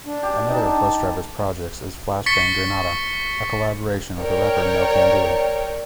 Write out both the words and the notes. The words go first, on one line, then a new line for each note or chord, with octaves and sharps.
Another of Busdriver's projects is Flash Bang Grenada, a collaboration with the rapper Nocando.
D4
G4
D#4 G5 A5
C#6 A6 B6 C#7 G7
A#4 C#5 D5 G5